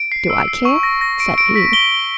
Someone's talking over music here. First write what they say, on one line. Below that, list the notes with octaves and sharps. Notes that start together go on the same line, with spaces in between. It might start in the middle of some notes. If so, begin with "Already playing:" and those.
"Do I care?" said he.
Already playing: D7
C7
E6
C7
C#6
A#6
A#6
D7
D7
B6
G7
G7